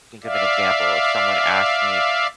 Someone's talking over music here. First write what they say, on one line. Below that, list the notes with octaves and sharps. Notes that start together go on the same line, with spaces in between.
think of an example. If someone asked me,
D5 E5 F5